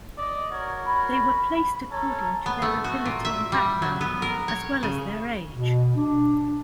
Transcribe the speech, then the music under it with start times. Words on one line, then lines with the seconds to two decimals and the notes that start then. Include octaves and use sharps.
They were placed according to their ability and background as well as their age.
0.18 D5 D#5
0.52 F#4 A#4 C#5
0.86 B5
1.91 C#4 A4 C#5 A#5
2.46 B3
2.62 A3
2.84 F#4
3.06 A#2
3.25 E5
3.52 G3
3.82 F#3
4.01 B3
4.22 A#4
4.48 C#5
4.83 C#3
5.53 B2
5.96 D4